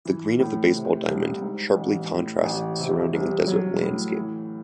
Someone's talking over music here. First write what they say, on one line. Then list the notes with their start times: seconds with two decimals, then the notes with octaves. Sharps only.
The green of the baseball diamond sharply contrasts the surrounding desert landscape.
0.05 E3
0.39 A2
0.74 C3
1.08 C2
1.42 G#2
1.76 A1
2.10 A2
2.45 A1
2.79 C3
3.13 C2
3.47 F#3
3.82 A2
4.16 E3